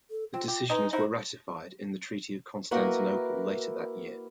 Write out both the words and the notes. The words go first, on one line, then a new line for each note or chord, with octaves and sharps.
The decisions were ratified in the Treaty of Constantinople later that year.
A4
C4 F4
G4
G#3 D#4 B4
D#4 E4 F#4 C5
A#3 E4 F#4 A#4 B4